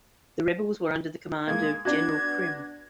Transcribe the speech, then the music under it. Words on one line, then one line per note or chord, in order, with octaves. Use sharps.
The rebels were under the command of General Primm.
G#3 A#3 G#6
B3 D4 F#4 G#6